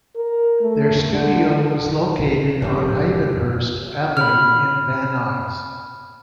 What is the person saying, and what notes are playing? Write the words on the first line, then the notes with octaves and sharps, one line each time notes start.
Their studio was located on Hayvenhurst Avenue in Van Nuys.
A#4
A3
D3
F1 G#2 D#3 G4
B5 F6